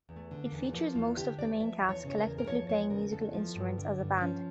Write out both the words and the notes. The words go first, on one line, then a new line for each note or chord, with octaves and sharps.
It features most of the main cast collectively playing musical instruments as a band.
E2
A3
D3
A#3
E2
F3 A#3
E2 F4
D3 G4
E2 D5
F3 E5
E2
C#5
C#3
C#5
A#4
E2
A#4
F3 C#5
E2 C#5
C#3 A#4
E2 A4
F3
G2
D3
G2
A#3
F3 C#4